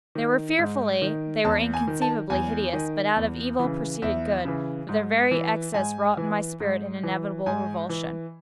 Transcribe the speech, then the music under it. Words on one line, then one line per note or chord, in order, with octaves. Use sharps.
They were fearfully--they were inconceivably hideous; but out of Evil proceeded Good; for their very excess wrought in my spirit an inevitable revulsion.
D#3
G#2
D#3
E2 A5
G#5
D#3
A5
E2 G#5
D#3
E2
C#3 E3
E2 E5
C#3 E3
G#2
E3
G#2 G#5
E3
G#2
E3
G#2 G#5
E3